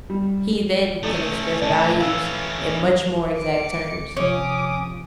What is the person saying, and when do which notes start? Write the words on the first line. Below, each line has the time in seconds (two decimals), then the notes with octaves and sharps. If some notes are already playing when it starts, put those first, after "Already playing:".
He then can express values in much more exact terms.
0.10 G3
1.03 A3 C#4 E4 A4 D5
1.61 A2 C#4 D5 A5
2.00 E3 C#4 F5 E6
3.36 D6 C#7
4.17 C3 F3 C#4 D6 D#6